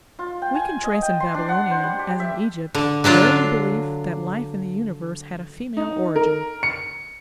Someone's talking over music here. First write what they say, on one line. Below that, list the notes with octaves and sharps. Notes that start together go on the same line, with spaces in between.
We can trace in Babylonia, as in Egypt, the early belief that life in the Universe had a female origin.
F4
G5
G#5
D#5
G5
C6
D4
F#5
C5
G3
G4
E5
D3
D3 F#3 D4 F4
D#4
A#4
C#7